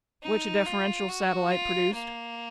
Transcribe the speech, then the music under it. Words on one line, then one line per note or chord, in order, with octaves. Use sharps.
Which a deferential satellite produced.
D#4
F4
F#4
F4
A#3